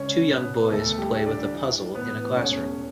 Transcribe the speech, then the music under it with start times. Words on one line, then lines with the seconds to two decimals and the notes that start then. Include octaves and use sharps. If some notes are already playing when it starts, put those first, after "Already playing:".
Two young boys play with a puzzle in a classroom.
Already playing: C#2 C#4 C#5
0.30 B2 B3 B4
0.71 D2 A3 A4
0.98 G3 G4
1.12 D3
1.26 D4 D5
1.53 E3
1.95 A2 B3 B4
2.36 E1 C#4 C#5